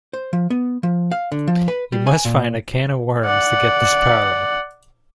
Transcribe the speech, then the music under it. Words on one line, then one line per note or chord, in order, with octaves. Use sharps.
You must find a can of worms to get this power up.
C5
F3
B3
F3
F5
D3
F3
B4
G3
G#5
A#2
D5 F#5